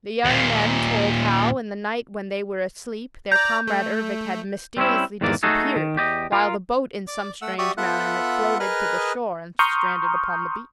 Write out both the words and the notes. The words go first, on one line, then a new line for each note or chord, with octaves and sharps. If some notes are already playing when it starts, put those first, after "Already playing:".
The young men told how, in the night when they were asleep, their comrade Ervic had mysteriously disappeared, while the boat in some strange manner had floated to the shore and stranded upon the beach.
D#2 A#2
D5 A#5 G6
A3
G3 C4 C#4 E4
E2 G#2 D#3 E3 A#3 D5
A3 D#4 F#4 G#4 A4
D#3
E2 G4 D5 D#5
F4 A#4
D5 D6
A3 F#5 E6
F#4 G4 D5 E5 C#6 D#6
B3 F4 A4 E5 F#5 F#6
G#4 A#4 B4 D#5 F6 F#6
A#5 C6 C#6 D#6 F6 G6